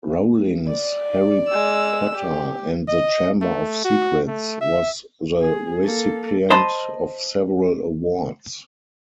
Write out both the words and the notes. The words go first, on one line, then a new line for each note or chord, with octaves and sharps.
Rowling's "Harry Potter and the Chamber of Secrets" was the recipient of several awards.
D5
G#3 E6
G4
D#5
A3
F#4
A3
E5
G#4
A#3 A4
C5 D#5 A5 B5 C6